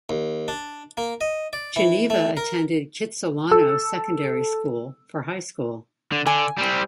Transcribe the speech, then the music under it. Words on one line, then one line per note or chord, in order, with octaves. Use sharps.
Geneva attended Kitsilano Secondary School for high school.
D#2
D4
A#3
D#5
D5
E3
A3
A#4
A4 E6
D3
D3 G#5
G3 C4